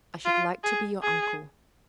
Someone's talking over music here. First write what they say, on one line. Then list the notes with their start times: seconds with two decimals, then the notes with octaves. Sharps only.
I should like to be your uncle.'
0.26 F4
0.64 G#4
1.03 G#4